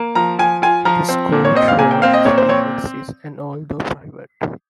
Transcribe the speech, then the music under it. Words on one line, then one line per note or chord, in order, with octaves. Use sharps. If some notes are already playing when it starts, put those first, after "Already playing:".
This coach-road still exists and although private.
Already playing: A#3
F3 A#5
F3 G#5
F4 G#5
F3 A#5
C4
A#2
C#5
C4 D#5
F5
A#2 G#5
G5
C4 F5
D#5
A#2 C#5
C5
C4 C#5